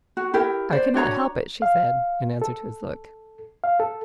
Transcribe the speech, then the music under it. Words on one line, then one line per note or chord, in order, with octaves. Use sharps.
"I could not help it," she said, in answer to his look.
F#4
E4 G4 A#4
C5 D5
D4 F#4 C#5 A#5
F5
A4
F5
A4